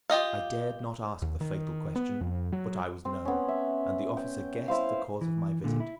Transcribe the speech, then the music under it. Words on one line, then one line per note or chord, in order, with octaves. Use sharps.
I dared not ask the fatal question, but I was known, and the officer guessed the cause of my visit.
F4 G4 D#5 F5
D#2
D#3
B3
F2
F#3
C4
B3 C#4
E5
G5
E4 C5 F5
E3
A#2 D3
E4